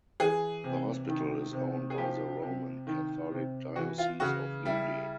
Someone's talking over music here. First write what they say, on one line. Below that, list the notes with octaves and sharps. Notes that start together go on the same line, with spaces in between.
The hospital is owned by the Roman Catholic Diocese of Lindi.
E3 G#4
C3
D#3
C3
G#4
F3 G4
C3
D#3
C3
E3 F#4
F4
C#3 F#4
G3 E4